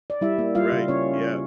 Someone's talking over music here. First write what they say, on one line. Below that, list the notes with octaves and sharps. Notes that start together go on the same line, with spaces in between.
Right, yeah.
D5
G3 E4 E5
A#3
G3 F4 F5
C#3
C#3 C#4 C#5